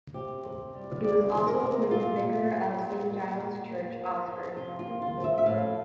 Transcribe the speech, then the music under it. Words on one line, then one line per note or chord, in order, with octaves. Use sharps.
He was also appointed Vicar of Saint Giles' Church, Oxford.
C3 G4
C3
G3
C3 D5
C3
A#4
C3
A#2 F4
A#2
A#2
A#2
A#2
A#2
A#3
F3
F3
C3 F4
F4
A#3
F4
F3
E5
E5
A2 F5